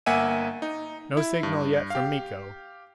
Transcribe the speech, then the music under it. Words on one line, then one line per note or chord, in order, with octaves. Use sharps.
No signal yet from Miko.
G1 A#3 E5 F#5 G#5 D#7
D#4
E4
G2
G4 F5